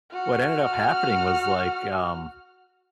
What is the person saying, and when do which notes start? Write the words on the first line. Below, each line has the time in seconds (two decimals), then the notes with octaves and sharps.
what ended up happening was like, um,
0.13 F#4 F6